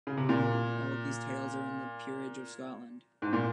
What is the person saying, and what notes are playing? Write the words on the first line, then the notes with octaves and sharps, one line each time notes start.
All of these titles are in the Peerage of Scotland.
C#3
C3
A#2
G#2
A#2